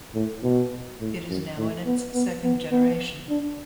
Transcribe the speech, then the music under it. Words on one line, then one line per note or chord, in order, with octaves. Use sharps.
It is now in its second generation.
A2
B2
A2
F#2
A2
B3
B3
B3
B3
D4